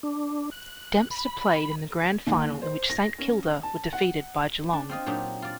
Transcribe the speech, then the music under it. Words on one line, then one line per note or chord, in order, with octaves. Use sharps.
Dempster played in the grand final in which Saint Kilda were defeated by Geelong.
D4
F#6
B5
D#2
C5
A#6
C#4
A5
F#5
D4
C4 F4 D#5
A#2 F#3 D4 D#4 G4
F4 D5